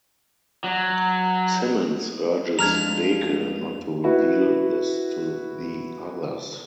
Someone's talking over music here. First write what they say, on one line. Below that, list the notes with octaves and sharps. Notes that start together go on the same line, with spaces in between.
Simmons urges Deke not to reveal this to the others.
F#3
F2 G#3 D4 A#5 F6 G#6 F7
E4 F#4 B4